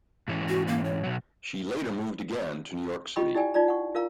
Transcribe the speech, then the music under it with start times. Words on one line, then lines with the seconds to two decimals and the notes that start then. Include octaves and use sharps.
She later moved again to New York City.
0.28 G#2 E3 C#4
0.49 F#4
0.68 A#3
0.84 C#5
1.04 B2 F#3
3.16 F4 D#5 G5 B5 C#6
3.35 E4 G4 D5 G5 G#5
3.54 D#4 F4 D5 A#5
3.68 F#5 C#6
3.95 F4 A#4 F5 A#5